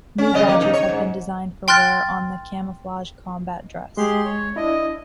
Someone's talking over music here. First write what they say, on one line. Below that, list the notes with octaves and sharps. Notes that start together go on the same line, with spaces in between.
New badges have been designed for wear on the camouflage combat dress.
C#4
C#3 F#3 D#5
F3 A#3
B2 D#3 D#4
C#5
G#2
G5 C6 F6 F#6 A6
G#3 G4 G#4 C6
C#5
D4 E4 D#5